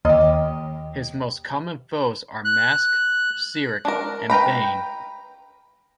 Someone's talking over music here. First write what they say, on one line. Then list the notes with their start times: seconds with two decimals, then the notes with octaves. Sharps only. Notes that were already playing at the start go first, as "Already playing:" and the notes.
His most common foes are Mask, Cyric and Bane.
0.05 D#2 G4 D#5
2.45 F#6
3.85 D4 A#4
4.30 B4 G5 A#5 B5